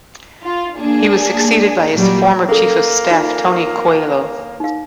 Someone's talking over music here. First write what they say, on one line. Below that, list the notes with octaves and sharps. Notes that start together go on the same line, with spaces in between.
He was succeeded by his former chief of staff, Tony Coelho.
F4
A#3 D4 G#4
A#2 F#3 G3
A#3 C#4 A4
D#4 F4 D5
D#4 F5